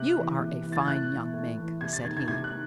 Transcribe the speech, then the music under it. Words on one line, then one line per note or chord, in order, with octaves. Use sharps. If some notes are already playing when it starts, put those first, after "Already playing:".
"You are a fine young Mink," said he.
Already playing: C3 F#6
E3
C3
E3
A6
G#6
A2 F#6
E3
A2
E3
C3 G#6
A6
D#3 G#6
G#6
C3 G#6
F#6
D#3